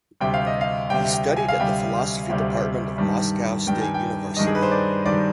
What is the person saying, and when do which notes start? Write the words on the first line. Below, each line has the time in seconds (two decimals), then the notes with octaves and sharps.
He studied at the philosophy department of Moscow State University.
0.20 D2 C3 G3 G5
0.34 F5
0.47 D#5
0.61 F5
0.90 D2 C3 G3 G5
1.13 G5
1.36 G#5
1.48 F5
1.59 D2 C3 G3 G5
2.29 D2 C3 G3
2.98 G2 D#3 G3
3.67 G2 D#3 G3 G5
3.81 G#5
3.94 G5
4.37 G2 D#3 G3 D#5
4.47 G#4
4.55 B4
4.63 C5
4.71 D5
5.05 G2 D#3 G3 D5